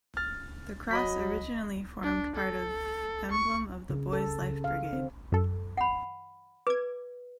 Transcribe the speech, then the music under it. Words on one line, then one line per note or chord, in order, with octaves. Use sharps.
The cross originally formed part of emblem of the Boys' Life Brigade.
F6 A6
F#3 D#5 B5 B6
D4
A4
C#6
C#3
A4
C#3
F5
C4
F#2 A4
F#5 B5
B4 D6 G#6